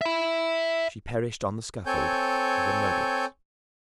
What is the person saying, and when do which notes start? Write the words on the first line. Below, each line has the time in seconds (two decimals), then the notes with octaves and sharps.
She perished on the scaffold as a murderess!
0.01 E5 B5
1.86 C4 A4 C#5 G#5 G6